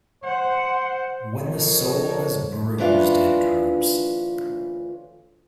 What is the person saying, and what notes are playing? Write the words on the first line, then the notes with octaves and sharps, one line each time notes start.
When the soul is bruised, it droops.
C5 F#5
F3 C4 D#4 A4 A#4 C#5
D2 E3 C#4 D4 F4 B4